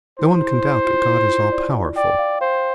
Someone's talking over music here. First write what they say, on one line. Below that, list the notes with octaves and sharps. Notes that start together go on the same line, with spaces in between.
'No one can doubt that God is all-powerful.'
E4 C5
E4
E4
F4
E4
F4
D5
D5 G5
F5
C5 F5